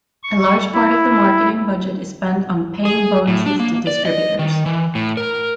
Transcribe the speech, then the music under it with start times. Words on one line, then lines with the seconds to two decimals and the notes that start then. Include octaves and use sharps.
A large part of the marketing budget is spent on paying bonuses to distributors.
0.23 C#6
0.73 E4
2.85 G#4
3.28 A2
3.46 D4
3.59 A#3
3.87 D5
4.05 D#5
4.39 D#3
4.66 E3
4.95 A2
5.17 A#4